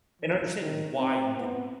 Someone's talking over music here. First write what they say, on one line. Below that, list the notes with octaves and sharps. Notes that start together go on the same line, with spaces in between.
and understanding why you're doing it.
F3
D#3
C4
B3